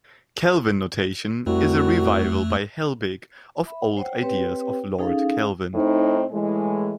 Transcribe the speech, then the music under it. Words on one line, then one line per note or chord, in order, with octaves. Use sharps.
Kelvin notation is a revival by Helbig of old ideas of Lord Kelvin.
C2 F2 A3 F#4
E5 B5
C5 C#5 F#5 G5
C4 G4 B4 C#5 G5
C#4 D#4 G#4 A4 F5
A2 C4 D#4
A2 E3 G#3